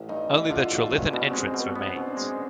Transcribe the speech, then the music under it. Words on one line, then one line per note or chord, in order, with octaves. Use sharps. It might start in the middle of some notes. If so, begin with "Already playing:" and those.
Only the Trilithon Entrance remains.
Already playing: A1
G2 D#4
A1 E4
D3 F4
A1 F#4
G2 C#4
B2 D4
C4
G#3
C4
B2
B3
B3 C#4
B2 C4
D4
G#3 C#4